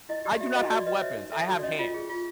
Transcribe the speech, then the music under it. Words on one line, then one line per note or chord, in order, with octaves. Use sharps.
I do not have weapons, I have hands."
E4 D#5
G4 D5
F#4 E5
F#4 D#5
F#4 D5
B4 D#5
C#5 E5
D#4
A4 E5
F#4
D5
C#4 D#5
F4
G#4
F4